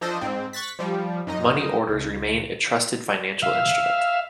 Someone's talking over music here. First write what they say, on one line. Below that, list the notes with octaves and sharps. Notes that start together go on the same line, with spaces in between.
Money orders remain a trusted financial instrument.
F3 D4 A4 C5 D#5
G#2 C4
C#6 F#6 A6 B6
F3 G3
F#2 D#4 D#5
C#2
E5 F5